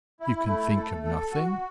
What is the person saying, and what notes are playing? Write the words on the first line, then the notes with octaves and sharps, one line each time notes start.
You can think of nothing?
E4
A3
A4
A4
F#4